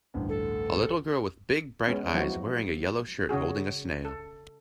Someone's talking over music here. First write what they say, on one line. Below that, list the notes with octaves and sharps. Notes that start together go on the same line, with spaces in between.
A little girl with big bright eyes wearing a yellow shirt holding a snail.
A1 D2 G2
A4
G#3 B3 C#4
F3 F#3 B3 D#4 E4 F#4
C#3 C#4 F#4 G#4
A4